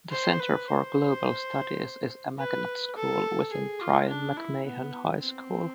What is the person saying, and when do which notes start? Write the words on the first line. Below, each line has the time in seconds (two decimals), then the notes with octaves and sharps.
The Center for Global Studies is a magnet school within Brien McMahon High School.
0.11 C5
0.40 B4
0.68 C5
2.38 B4
2.96 A4
3.52 G#4
3.81 F4
4.09 D4
4.37 E4
4.66 B3
5.23 C4